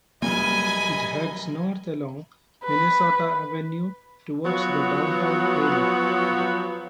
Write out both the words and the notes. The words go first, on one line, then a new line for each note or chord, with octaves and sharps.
It heads north along Minnesota Avenue toward the downtown area.
F1 F#2 G3 A#3 D#5 G#5 B5
B4
F3 F#3 B3 F#4 C#5